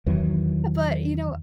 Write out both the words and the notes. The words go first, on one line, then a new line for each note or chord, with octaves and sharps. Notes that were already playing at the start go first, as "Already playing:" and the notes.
but, you know
E2 D#3 E3 F#3